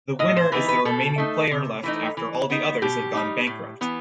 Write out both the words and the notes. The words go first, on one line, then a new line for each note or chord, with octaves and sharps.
The winner is the remaining player left after all the others have gone bankrupt.
A2 D#5
C5
E3 B3 D#4 B4
B4
B2 A4
A3 D#4
C3
E3 A3 D#4
E3
B3 D#4
B2 G4
G3 D#4
A2
E3 B3